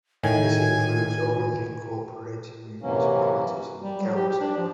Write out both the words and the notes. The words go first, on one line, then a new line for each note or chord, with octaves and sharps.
This includes all of the incorporated municipalities in the county.
A2 D#3 G#5
F#2 C3 E3 F#3 A#3 C#4
G3
F#3
G4
G4
D4
F3